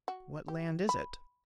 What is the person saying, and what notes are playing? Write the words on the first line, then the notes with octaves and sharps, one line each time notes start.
"What land is it?"
F#4
G4
B5